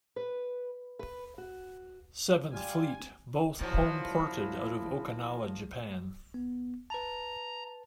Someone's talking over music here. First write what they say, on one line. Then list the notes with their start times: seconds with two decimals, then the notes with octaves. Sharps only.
Seventh Fleet, both homeported out of Okinawa, Japan.
0.16 B4
0.99 B4
1.38 F#4
2.52 G3 F4 G#5
3.59 A#2 F3 F#3 E4
6.34 B3
6.90 B4 A5 A#5